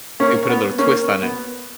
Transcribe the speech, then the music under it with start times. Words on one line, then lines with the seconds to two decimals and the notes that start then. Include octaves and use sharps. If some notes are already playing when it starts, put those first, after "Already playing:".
You put a little twist on it.
0.20 A#3 C#4
0.49 B3
0.79 A#3 C#4
1.22 B3